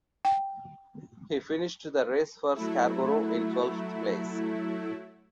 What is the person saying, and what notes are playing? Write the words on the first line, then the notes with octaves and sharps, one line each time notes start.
He finished the race for Scarborough in twelfth place.
G5
F#3 A3 E4